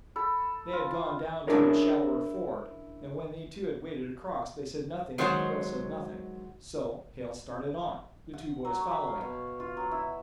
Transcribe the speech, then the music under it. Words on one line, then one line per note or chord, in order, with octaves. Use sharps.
They had gone down to a shallower ford, and when they, too, had waded across, they said nothing and the girl said nothing--so Hale started on, the two boys following.
A4 B5
F4
C#4 D4 E4 G#4 A#4 C#5
D#3 F#3 G#3 C5 C#5 F#5
F#5
F#3
C#5
B5
F5
B2
F4
F#3
E4